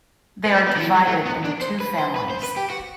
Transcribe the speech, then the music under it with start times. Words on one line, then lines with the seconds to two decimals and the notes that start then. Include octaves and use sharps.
They are divided into two families.
0.46 B3
0.54 C4
0.66 B3
0.76 D3
0.81 E3
0.95 G3
1.08 A3
1.26 B3
1.44 D4
1.62 C5
1.81 B4
1.99 C5
2.16 B4
2.30 C5
2.43 B4
2.57 G4
2.70 F#4